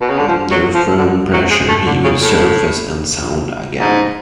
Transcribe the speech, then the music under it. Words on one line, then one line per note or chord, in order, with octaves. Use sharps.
Under firm pressure he will surface, and sound again.
B2
C#3
D3
F3
F#3
F3
D3
F#3
G#3
A3
D3
C#3
A2
G#2